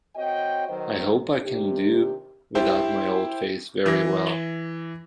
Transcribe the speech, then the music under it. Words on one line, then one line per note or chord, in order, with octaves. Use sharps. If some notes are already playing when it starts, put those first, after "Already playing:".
I hope I can do without my old face very well.
C4 F#4 C#5 D#5 G5
D#3 F#3 B4 C5 D#5
C3 D#3 D4 G4
E4 G4 C5
E3 A#6